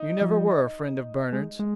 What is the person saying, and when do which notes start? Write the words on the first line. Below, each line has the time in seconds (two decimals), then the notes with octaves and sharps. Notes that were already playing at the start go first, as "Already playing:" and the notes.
"You never were a friend of Bernard's."
Already playing: D#4
0.21 F3
1.33 G#3
1.59 G#3